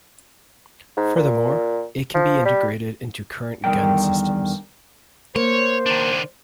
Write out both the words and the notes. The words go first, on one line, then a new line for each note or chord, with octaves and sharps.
Furthermore, it can be integrated into current gun systems.
G#2
A#2
F3
G3
E2 D3 D#3 G3 A#4 G5
A#3 C5 C#5
D#3 D4